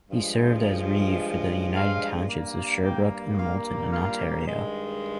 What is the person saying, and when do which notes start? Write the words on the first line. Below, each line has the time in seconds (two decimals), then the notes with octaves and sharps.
He served as reeve for the United Townships of Sherbrooke and Moulton in Ontario.
0.10 G2 F3 G#3
1.74 F4 F5
2.28 G2 G3 A#3
2.82 G4 G5
3.37 F4 F5
3.92 F4 F5
4.46 G2 D#3 G#3